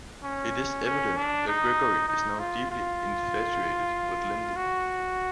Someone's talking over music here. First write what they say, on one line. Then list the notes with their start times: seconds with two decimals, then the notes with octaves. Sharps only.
It is evident that Gregory is now deeply infatuated with Lyndall.
0.23 C#4
0.86 C#4
1.17 D4
1.48 D#4
2.08 D#4
2.39 F4
2.71 F4
4.56 F#4